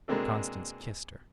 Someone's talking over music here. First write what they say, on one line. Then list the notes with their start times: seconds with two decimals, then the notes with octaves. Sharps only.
Constance kissed her.
0.08 B2 G#3 A#3 C4 D4 A4